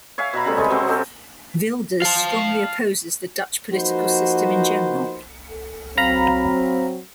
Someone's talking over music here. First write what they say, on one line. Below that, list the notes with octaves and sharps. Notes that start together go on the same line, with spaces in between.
Wilders strongly opposes the Dutch political system in general.
C#5 E5 F5 G#5
B2 E5 A#5 B5
C#3 G3 A3 C4
G#3 A4 B4 C#5
C3 F#3 C4 C#6
C#4 G4 A4 D#5
F5 A5
F3 A#3 D#4 F#4 B4 C5
F#3 C4 F5 A#5 B5